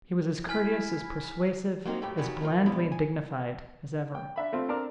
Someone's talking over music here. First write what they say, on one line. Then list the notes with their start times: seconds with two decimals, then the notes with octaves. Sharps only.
He was as courteous, as persuasive, as blandly dignified as ever.
0.49 E4 G#5 F6 B6
1.85 F#3 A#3 C4 D#4 A#4
2.02 F2 A2 F#3 G4 G5
2.17 C3 D#3 E3 F#3 G3
2.41 C2 D#4 F4 A#4
2.66 B1 G#2 D3 B3 E4 D5
2.92 G#5
4.15 G5
4.36 D4 E5 B5
4.52 A3 C4 F4
4.69 C4 D4 A#4 D6